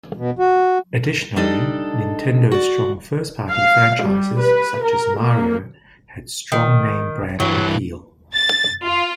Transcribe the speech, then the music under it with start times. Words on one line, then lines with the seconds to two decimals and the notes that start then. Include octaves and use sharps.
Additionally, Nintendo's strong first-party franchises such as "Mario" had strong name brand appeal.
0.17 B2
0.39 F#4
1.36 G3 D4 D#4 A4 D#5
2.52 F#4 D5
3.51 F5
4.03 G3
4.41 B4
4.84 A#4
5.19 A#3
6.52 D#3
7.40 G2 E3 F#3
8.33 A6
8.84 F4